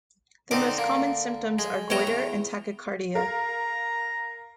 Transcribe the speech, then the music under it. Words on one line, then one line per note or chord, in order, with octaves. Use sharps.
The most common symptoms are goiter and tachycardia.
D3 C4 D#4 D6
A#3
G#3
A3 B3 C#5 G5 A#5
E2
A#4 F5 A#5